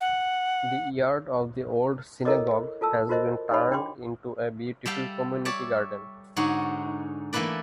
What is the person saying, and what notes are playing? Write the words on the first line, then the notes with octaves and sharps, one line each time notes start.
The yard of the old synagogue has been turned into a beautiful community garden.
F#5
E4 A4 A#4 C#5 D#5 D6
F4 A4 A5 E6
F4 F#4 A#4 C5 D#5 E5
D#4 G4 C#5 D#5 F5 B5
D4 G5 B5 C6 D6
G3 A4 E5 F5 G5 A5
C#5 D5 E5 A5
G#2 D3 D#4 F#4 C#5
E3 A3 A#3 E4 B4 D5